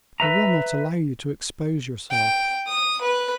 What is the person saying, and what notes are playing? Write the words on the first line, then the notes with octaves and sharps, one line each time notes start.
"I will not allow you to expose yourself."
B4 E5 A#5
G5
D#6
B4